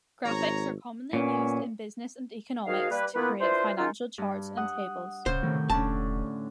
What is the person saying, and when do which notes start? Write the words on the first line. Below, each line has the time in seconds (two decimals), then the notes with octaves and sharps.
Graphics are commonly used in business and economics to create financial charts and tables.
0.24 G#1 C#5 A#5
1.13 A#2 B3 C#4
2.66 G#2 D#3 F#4 G#4 F5
2.91 G3 A#3 B4
3.15 D#3 A#3 B3 E4 F4 B4
3.40 D4 E4 F4 B4 C5
3.78 D#3 G#3 C#4 D#4 F4
4.18 G2
4.57 F#5 D#6
5.26 D1 C#3 C5 G6
5.43 A2 C3 D#3
5.70 E1 D3 C#4 D4 A5